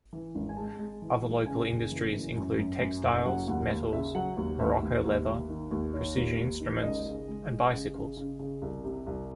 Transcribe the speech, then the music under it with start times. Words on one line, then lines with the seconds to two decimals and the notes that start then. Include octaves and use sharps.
Other local industries include textiles, metals, morocco leather, precision instruments, and bicycles.
0.13 E3
0.35 G#1
0.49 G#5
0.57 G#3 A5
0.79 G#3
1.02 E3
1.24 G#3
1.46 C#3 G#5
1.69 F#1
1.91 E3
2.13 F#2
2.36 F#2
2.58 F#2
2.80 F#2
3.03 F#1
3.25 F#3 F#5
3.48 D#2 F#5
3.70 D#2
3.93 C#3 E5
4.15 F#3 F#5
4.37 D#2
4.60 D#2 E5
4.82 D#2
5.04 D#2
5.27 D#2
5.49 D#3
5.71 D#2
5.94 D#3 C#5
6.16 D#2
6.39 D#2
6.60 D#3
6.83 C#2 D#5
7.06 C#3
7.28 G#3
7.50 G#3
7.72 C#3
7.95 C#3
8.17 C#3
8.39 C#3
8.62 C2
8.84 C3
9.07 C2